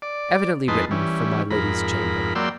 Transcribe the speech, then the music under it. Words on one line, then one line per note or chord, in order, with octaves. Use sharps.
Evidently written for my lady's chamber.
D5
F2 G#3 D#4 B4 A5 C6
E3 G3 C#4
F2 G#2 A#4 B5
F#3 A#3 D5 G5 C6 E6